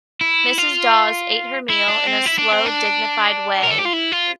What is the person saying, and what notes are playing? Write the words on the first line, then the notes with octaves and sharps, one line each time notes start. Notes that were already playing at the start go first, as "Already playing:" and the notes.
Mrs. Dawes ate her meal in a slow, dignified way.
E4
F4
E4
D4
C4
E4
D4
C4
D4
A#4
A4
G4
F4
E4
F4